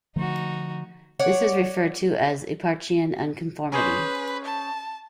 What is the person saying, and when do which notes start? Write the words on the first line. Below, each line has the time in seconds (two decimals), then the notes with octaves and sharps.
This is referred to as Eparchaean Unconformity.
0.16 D3 F3 A3 D#4 F#4
1.19 C#5 D5 F#5
3.72 C#4 G#4 B4 C5
4.45 A5